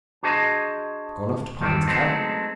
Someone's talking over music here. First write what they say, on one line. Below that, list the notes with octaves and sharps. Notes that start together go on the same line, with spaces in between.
Gone off to Pine's cabin!
D4 F#4 G#4 C5 D#5
E2 G2 D#3 C4
F#3 G#3 A3 B3 C4 D#4